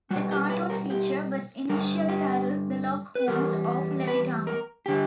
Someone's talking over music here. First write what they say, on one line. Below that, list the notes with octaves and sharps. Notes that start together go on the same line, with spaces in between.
The cartoon feature was initially titled The Lockhorns of Levittown.
B2 G3 F#4
G4
B4
A#4
G4
G2 D3 G3 A#4
G4
B4
E2 C#3 G3 A#4
B4
A#4
D3 G3 G4